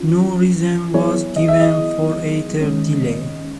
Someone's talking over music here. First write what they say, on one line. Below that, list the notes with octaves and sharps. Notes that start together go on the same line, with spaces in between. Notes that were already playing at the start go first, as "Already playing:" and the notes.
No reason was given for either delay.
Already playing: C#4 F4
F#3 B3 E4 G#4 C#5
D#5
E5
D#5
D#3 G#3 C#4